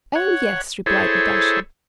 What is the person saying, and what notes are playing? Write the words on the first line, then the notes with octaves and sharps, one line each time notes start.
"Oh, yes," replied Natasha.
C#5 F#5
E4 G#4 A4 C5 C#5